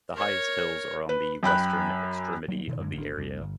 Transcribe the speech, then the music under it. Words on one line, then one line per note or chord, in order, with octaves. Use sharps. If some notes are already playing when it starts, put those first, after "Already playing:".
The highest hills are on the western extremity of the area.
A#4 C#5
B4
F#2 G5 B5 F#6
F#3 G3 A#3 B3
B2 D#3 E3
F#2 D3 G#3
G1 C#2 D3 D4
C2 F2
G1